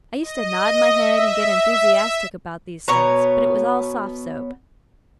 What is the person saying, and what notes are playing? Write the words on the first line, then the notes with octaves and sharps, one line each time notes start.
I used to nod my head and get enthusiastic about these stunts, but it was all soft soap.
D#5
E5
B2 B3 C#5 A#5